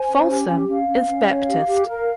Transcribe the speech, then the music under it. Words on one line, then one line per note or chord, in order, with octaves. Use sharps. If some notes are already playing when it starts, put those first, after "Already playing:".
Folsom is Baptist.
Already playing: C5 G#5
C#4
G4
C#4
C#4 F5
C#4
C#4
C#5
G4
G4
A#4